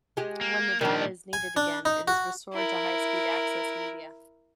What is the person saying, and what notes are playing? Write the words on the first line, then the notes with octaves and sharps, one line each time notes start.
When the data is needed again, it is restored to high-speed access media.
G#3 G4
A#3
A#2 D#3 F3 D4
G#5
D4
D#4
F#4
E4 A#4